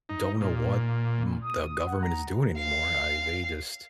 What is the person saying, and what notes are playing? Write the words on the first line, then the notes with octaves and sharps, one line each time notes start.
don't know what m the government is doing anymore, I they just
D#4
A#2
D#6
F#5
A#5
F5